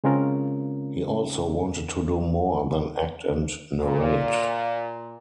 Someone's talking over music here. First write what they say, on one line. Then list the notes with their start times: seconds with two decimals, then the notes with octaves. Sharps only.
He also wanted to do more than act and narrate.
0.04 C#3 G#3 C4 C#4 F4 A#4
3.80 A#2